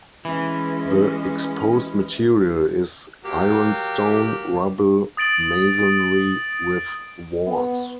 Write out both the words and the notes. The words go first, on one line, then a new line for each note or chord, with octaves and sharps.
The exposed material is ironstone rubble masonry, with walls.
E3 G#3 C#4
F#3 A#3 G4
D#6 A6 D7 F#7
B3